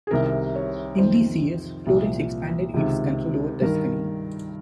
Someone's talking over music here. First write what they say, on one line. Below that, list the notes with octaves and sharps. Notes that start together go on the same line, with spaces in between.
In these years Florence expanded its control over Tuscany.
G#4
C2 C3 D#3 A#4
C#5
F2 D#3 C5
C2 A#2 F3
C#2 C3 D#3
G2 D#3 A#4